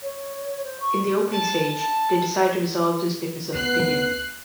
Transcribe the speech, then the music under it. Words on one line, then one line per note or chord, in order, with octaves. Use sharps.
In the opening stage, they decide to resolve this difference of opinion.
C#5
C5
C#6
A5
A5
D2 B3 F#6 C7